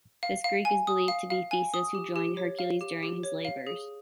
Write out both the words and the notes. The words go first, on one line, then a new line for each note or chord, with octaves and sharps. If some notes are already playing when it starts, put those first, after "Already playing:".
This Greek is believed to be Theseus, who joined Heracles during his labors.
F5
F5
G#5
D#6
F5
F5
G#5
D#6
G4
G4
C#5
F5
G4
G4
C#5
F5
G#4